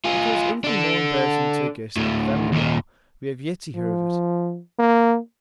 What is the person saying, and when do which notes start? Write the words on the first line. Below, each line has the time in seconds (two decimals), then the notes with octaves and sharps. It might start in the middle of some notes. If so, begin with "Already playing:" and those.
If there is anything more embarrassing to a guest than a family row, we have yet to hear of it.
0.05 F4 G#4
0.64 D4 A4
1.96 D2 A2
2.53 D#2 A#2
3.75 F3
4.79 A#3